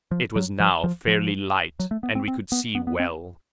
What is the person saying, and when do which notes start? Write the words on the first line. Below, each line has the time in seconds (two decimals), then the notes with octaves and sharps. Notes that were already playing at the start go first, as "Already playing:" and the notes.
It was now fairly light, and we could see well.
0.11 F3
0.36 F#3
0.60 F3
0.84 F3
1.07 F3
1.80 F#3
1.91 A3
2.03 B3
2.15 C4
2.28 C4
2.52 B3
2.75 B3
2.87 B3
3.00 C4